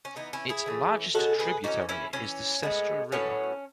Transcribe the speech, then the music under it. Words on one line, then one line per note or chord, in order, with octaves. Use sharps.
Its largest tributary is the Sestra River.
C#4
E3 B3 D#4
C#4 E4
E4 G#4
E3 A3 C#4
B2 G#3 C#4 F#4 A4
G#4 B4
E3 G#3 C#4 D#4 F#4
C#4 E4
E3 B3 C#4
A2 G#3 B3
A2 F#3 B3 C#4